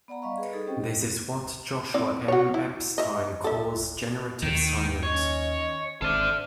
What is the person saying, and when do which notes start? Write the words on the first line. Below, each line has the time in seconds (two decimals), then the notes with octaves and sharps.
This is what Joshua M. Epstein calls generative science.
0.08 B3 D5 F#5 A#5 B5
0.22 G3 D#5 F5 C#6
0.38 G#4 B4
0.52 D#4 G#4 A4 D#5
0.66 C4 C#4 G4 C5 G5
1.94 C4 E4 D5
2.28 F#4 C#5
2.54 E4
2.98 D#5 E5
3.44 A4 E5
4.42 D#2 D#3
5.03 C#4 C#5 D#5
6.02 G#1 A4 C5 D5 E5 F6